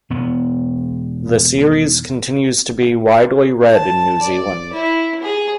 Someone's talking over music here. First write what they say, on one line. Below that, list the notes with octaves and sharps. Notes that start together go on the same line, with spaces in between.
The series continues to be widely read in New Zealand.
E1 B3
A5
D5
E4
G#4